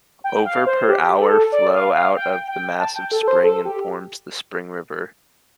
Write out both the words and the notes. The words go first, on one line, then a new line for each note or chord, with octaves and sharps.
Over per hour flow out of the massive spring and forms the Spring River.
G5
F5
C5
G4
A4
D5
F5
F5
G5
G5
A5
G5
A4
A4
C5
A4
G4